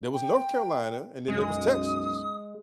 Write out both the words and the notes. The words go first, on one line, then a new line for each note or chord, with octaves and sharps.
There was North Carolina, and then there was Texas.
G5
B1 F#2 G#3 D#6